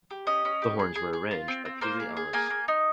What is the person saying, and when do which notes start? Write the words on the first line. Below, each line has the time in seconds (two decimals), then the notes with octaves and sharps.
The horns were arranged by Pee Wee Ellis.
0.11 G4
0.27 C#4 D#5
0.45 C#4
0.62 G4
0.79 G#4
0.95 G#4
1.13 G#4
1.31 F4
1.48 C4
1.65 C4
1.81 A#3 C5
2.00 G#4
2.17 G#4
2.33 A#3 G#5
2.50 A#3
2.68 D#4